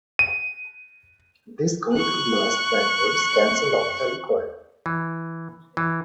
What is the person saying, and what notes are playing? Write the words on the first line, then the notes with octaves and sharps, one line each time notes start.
This counter blast backwards cancelled out the recoil.
D#7
C#6 F#6
E3
E3